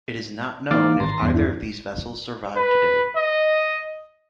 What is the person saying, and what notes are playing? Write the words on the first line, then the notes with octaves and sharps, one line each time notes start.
It is not known if either of these vessels survive today.
E3 A#3 D#4 F5 D6 A6
G#1 A5 A#5 C6
E2 G2
D4 E4
B4
D#5